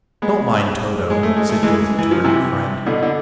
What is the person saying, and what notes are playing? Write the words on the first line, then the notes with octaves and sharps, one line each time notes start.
"Don't mind Toto," said Dorothy to her new friend.
G#3 B3
G#3
A3
G#3
A3
E3 G#3
E3
F3
C3 E3
B2 D3
D3